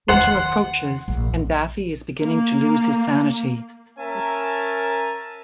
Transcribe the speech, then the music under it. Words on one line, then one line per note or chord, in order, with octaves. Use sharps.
Winter approaches, and Daffy is beginning to lose his sanity.
E2 D#3 F#5 C6
A#1
A#3
C#4 A#4 E5 G#5 A5